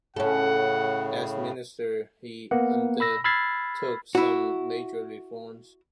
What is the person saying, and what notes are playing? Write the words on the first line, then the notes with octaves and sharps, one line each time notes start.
As Minister he undertook some major reforms.
A2 C#3 C#4 A4 F#5
A#3 B3 F#5
B5 E6 A#6
B5 E6 F6 G#6 A6 C7
E4 F#4